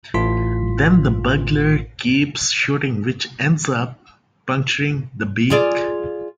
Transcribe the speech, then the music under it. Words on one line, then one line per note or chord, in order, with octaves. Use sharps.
Then the burglar keeps shooting which ends up puncturing the beak.
A1 A2 F4 C6 B6
F4 G#4 D5